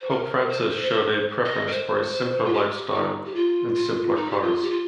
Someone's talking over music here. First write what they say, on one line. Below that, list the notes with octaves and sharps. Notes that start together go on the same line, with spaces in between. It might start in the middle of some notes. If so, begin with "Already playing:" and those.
Pope Francis showed a preference for a simpler lifestyle and simpler cars.
C5
A#4
C5
C5
D#5
A#4
C5
F4
G4
D#4
G4
F4
F4
D#4
G4
F4
G4
F4